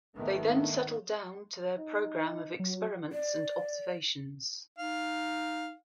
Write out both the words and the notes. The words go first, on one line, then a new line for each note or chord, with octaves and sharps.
They then settled down to their program of experiments and observations.
G#1 D#3 A3 B3
D#4
F#3
D5
D#4 F5